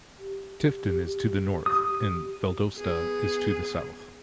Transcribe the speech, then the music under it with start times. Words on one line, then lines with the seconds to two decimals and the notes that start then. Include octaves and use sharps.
Tifton is to the north, and Valdosta is to the south.
0.18 G4
1.66 D#6
2.77 B3 G#4